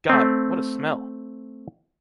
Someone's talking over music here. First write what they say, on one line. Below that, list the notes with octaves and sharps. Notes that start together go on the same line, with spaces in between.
God! What a smell!
A3 C4